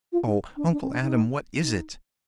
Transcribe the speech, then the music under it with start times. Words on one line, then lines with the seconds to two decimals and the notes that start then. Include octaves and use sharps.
"Oh, Uncle Adam, what is it?"
0.12 F4
0.26 D#4
0.56 D4
0.72 D4
0.82 C4
0.91 D4
1.02 D#4
1.61 D#4